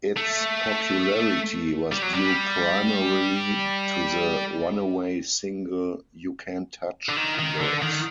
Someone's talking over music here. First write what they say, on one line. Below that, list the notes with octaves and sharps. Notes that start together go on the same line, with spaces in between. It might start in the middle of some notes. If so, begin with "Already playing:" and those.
Its popularity was due primarily to the runaway single, "U Can't Touch This".
A3
G3
F#3
G3
D3
D#3
D#3
D3
D#3